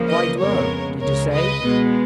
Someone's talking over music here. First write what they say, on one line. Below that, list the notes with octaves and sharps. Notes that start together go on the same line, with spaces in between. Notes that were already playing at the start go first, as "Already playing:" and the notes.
Quite well, did you say?
Already playing: C#2 C#3 F3 A#3
B4 D#5
F2 C#3 G#3 B3 A#4 C#5
C#2 C#3 G#3 A#4 C#5
B4 D#5
B2 G#3 B3